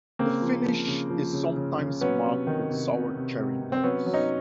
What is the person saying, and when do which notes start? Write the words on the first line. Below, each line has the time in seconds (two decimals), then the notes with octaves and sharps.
The finish is sometimes marked with sour-cherry notes.
0.19 C#3 A#3 C4
0.42 F3
0.65 F3
0.87 C#3
1.10 F3
1.33 C#3
1.56 C#3
1.78 C#3
2.01 F#3 B3 C#4
2.24 C3
2.47 D#3
2.70 C3
2.92 C3
3.15 C3
3.37 C3
3.61 C3
3.72 C4
3.83 F#3 B3 C#4
4.06 F#3
4.14 C#4 D#4